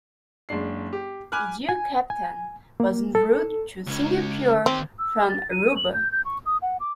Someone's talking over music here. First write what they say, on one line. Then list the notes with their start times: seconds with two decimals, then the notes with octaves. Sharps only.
"Aegean Captain" was en route to Singapore from Aruba.
0.49 F#1 G#3 D4 C7
0.93 G4
1.32 G#5 B5 D6 F6 F#6
1.69 G#5
2.10 G#5
2.80 A#3
3.15 A4
3.87 C#2 C#4
4.66 D#3 C4 G4
4.99 E6
5.29 A6
5.51 D#7
5.77 F#7
5.93 G6
6.12 G6
6.25 C#6
6.46 D#6
6.62 F#5
6.80 D6